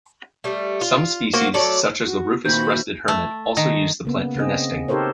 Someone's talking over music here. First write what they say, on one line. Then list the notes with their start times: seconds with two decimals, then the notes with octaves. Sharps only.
Some species such as the rufous-breasted hermit also use the plant for nesting.
0.44 G3 A3
0.81 F4
1.34 A#3 F#4 C5
1.54 F#3 A3 A4 D5
2.06 F#4
2.45 A#2 D#3 E3 C4 F#4 B5 G6
3.08 A3
3.57 D#3
4.05 C#3 A#3 B3
4.35 C#3 C4 G#4 D#5
4.88 D#4 G4 A4 A#4 C5 C#5